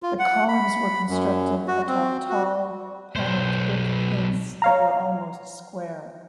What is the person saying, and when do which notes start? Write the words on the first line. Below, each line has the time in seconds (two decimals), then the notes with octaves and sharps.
The columns were constructed atop tall, paneled brick plinths that were almost square.
0.03 F4
0.19 F#5
0.48 B5
1.09 F#2
1.68 F#4
1.87 C4
2.29 F#4
3.16 B1 C5
4.62 C#5 F5 A#5